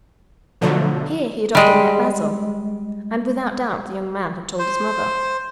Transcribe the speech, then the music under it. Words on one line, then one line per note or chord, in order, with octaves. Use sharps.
Here he had often met Basil, and without doubt the young man had told his mother.
B2 D3 F3 F#3 A3
G3 G#3
C5